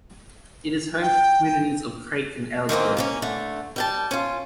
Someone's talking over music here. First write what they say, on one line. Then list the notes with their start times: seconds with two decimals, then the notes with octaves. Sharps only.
It is home to the communities of Craik and Aylesbury.
1.02 G5
2.69 D#3 E3 A#3 C4
2.97 A#3 B3 C#4
3.22 D3 A3
3.76 G3 G5 A5
4.11 C#4 F4